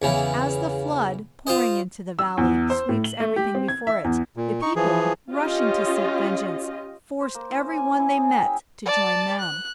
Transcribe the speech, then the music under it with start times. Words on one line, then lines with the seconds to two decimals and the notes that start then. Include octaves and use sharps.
As the flood, pouring into the valley, sweeps everything before it, the people, rushing to seek vengeance, forced every one they met to join them.
0.02 E2 C#3 E3
1.47 F4 C5 D#5
2.19 E6
2.37 E2
2.70 C5
2.89 A2
3.04 F#7
3.20 A3
3.36 G4
3.55 C4
3.68 G#6
3.87 E5
4.04 E2
4.36 A#2
4.62 D#4 C#6
4.76 E3 F3 G#4
5.32 C#4 F4 G4 D#5
7.21 C5
7.35 A#3
7.50 E4
7.62 C#4
7.77 G#5
7.99 E4
8.17 G#4
8.30 G5
8.46 E5
8.86 D5 A5
9.40 F#6